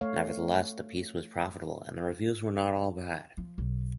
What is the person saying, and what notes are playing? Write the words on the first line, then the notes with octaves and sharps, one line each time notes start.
Nevertheless, the piece was profitable, and the reviews were not all bad.
A3 C#5 F5
F3
B1